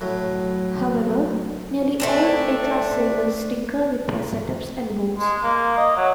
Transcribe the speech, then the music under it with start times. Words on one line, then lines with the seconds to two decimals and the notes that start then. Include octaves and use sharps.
However, nearly all A-Class sailors tinker with their setups and boats.
0.01 A2 F#3
2.00 A3 C4 D4
5.18 G#3
5.43 A#3
5.77 D#5
5.97 F#3